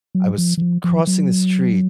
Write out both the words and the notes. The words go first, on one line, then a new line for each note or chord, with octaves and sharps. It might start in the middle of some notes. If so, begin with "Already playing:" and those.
I was crossing the street
F#3
F3
E3
F3
F3
F#3